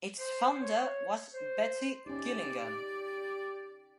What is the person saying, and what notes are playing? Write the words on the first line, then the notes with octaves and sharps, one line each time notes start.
Its founder was Betty Gillingham.
C5
C#5
C5
C#4 D#4 G4 D5